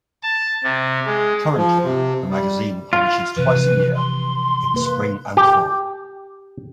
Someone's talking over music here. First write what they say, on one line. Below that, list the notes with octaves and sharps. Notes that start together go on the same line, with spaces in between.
Currently the magazine publishes twice a year, in spring and fall.
A5
C3
G#3
F3
C3
G3
F4
C3 E3 F3 B4
C6
A#3 B4
G4